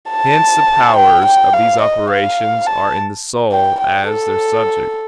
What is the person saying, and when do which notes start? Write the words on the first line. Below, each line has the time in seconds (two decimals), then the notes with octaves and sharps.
Hence the powers of these operations are in the soul as their subject.
0.11 A5
0.96 G5
1.25 G5
1.53 F5
1.81 D#5
2.10 F5
2.67 A5
3.52 G5
3.80 G5
4.09 A4